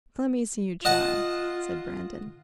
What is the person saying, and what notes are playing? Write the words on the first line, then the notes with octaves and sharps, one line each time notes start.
"Let me see you try," said Brandon.
F4 D#5 F#5 A5